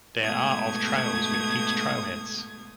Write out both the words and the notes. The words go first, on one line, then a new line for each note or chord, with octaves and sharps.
There are of trails with eight trailheads.
G#2 B2 A3 D#6 G#6